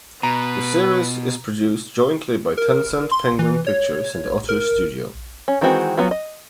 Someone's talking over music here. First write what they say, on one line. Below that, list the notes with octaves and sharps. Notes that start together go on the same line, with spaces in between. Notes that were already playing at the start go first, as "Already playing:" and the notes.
The series is produced jointly by Tencent Penguin Pictures and Otters Studio.
B2 B4 A#5
A#4
C6
E3
C#5
A#4
C#4
D#3 E3 G#3 C4 F#4
F#3 B3 F4 F#4
D#5